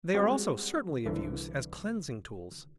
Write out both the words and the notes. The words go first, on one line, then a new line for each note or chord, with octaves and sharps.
They are also certainly of use as cleansing tools.
G3 G#3 C4 F#4
C2 D3 E3